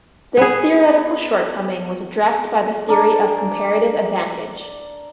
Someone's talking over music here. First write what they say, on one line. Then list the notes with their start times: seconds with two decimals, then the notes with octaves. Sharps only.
This theoretical shortcoming was addressed by the theory of comparative advantage.
0.37 B3 G#4
2.88 D4 A#4 D5